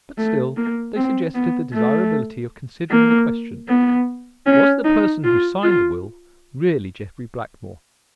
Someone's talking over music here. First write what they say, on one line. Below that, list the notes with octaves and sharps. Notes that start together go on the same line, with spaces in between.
But still they suggested the desirability of considering the question: Was the person who signed the will really Jeffrey Blackmore?
A3
A#3
C4
B3
A3
A#3
B3
C#4
D#4
F4
F4